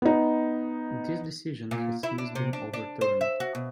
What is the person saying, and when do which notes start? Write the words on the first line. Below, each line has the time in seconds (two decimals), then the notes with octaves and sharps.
This decision has since been overturned.
0.02 B3 D#4
1.71 A#2
2.03 E4
2.18 D4
2.35 C3
2.53 D4
2.74 D4
3.01 C5
3.21 E5
3.40 F#4
3.55 B2